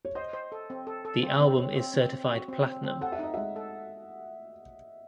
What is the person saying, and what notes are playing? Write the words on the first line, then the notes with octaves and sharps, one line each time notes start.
The album is certified platinum.
C#5
C5 D#5
C5
A4
C4
A4
A4
C4
C4
C4 C#5
C4
C4
C4
F#4
C4
C4
C4
A4 F#5
E5
D#4 D#5
G#3 E5
A4